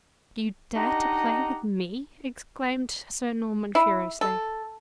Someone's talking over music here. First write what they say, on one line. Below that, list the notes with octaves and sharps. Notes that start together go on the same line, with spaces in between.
"Do you dare to play with me?" exclaimed Sir Norman, furiously.
D4 D#4 G4 D#5 F#5 A#5
E4
A4